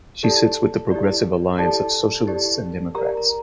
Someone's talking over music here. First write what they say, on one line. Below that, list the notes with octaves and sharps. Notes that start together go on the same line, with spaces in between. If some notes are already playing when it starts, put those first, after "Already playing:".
She sits with the Progressive Alliance of Socialists and Democrats.
E4 G4 A4 D5 A5
E4 G4 D5
E4 G4 A4 D5 A5
E4 G4 D5
G4 A#4 D5 A#5
A#5